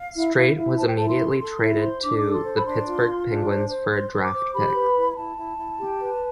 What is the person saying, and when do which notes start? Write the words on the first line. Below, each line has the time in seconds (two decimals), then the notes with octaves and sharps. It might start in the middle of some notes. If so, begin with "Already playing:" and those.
Streit was immediately traded to the Pittsburgh Penguins for a draft pick.
Already playing: F5
0.15 E4
0.36 E4
0.56 E4
0.77 C5 A5
0.87 G5
0.98 E4 A5
1.09 C6
1.19 A4
1.40 A4 C6
1.61 E4
1.78 B5
1.81 C5 C6
2.03 D4 D6
2.18 D6
2.23 A4
2.34 C6
2.44 C5
2.56 B5
2.65 D4 C6
2.86 F4
3.07 F4
3.28 D4
3.49 C5
3.70 C5
3.91 C5 C6
4.11 C5
4.22 D6
4.32 C5
4.53 G4 B5
4.74 B4
4.95 E4
5.11 B5
5.16 E4 A5
5.37 E4
5.58 E4
5.78 G4
6.00 B4